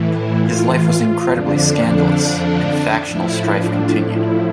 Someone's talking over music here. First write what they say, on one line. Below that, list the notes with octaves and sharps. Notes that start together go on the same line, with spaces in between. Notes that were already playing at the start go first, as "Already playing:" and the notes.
His life was incredibly scandalous, and factional strife continued.
Already playing: A2 E3
E4
F4
F4
F2 D3 F3 D4
A2 F3 E4
D4
E4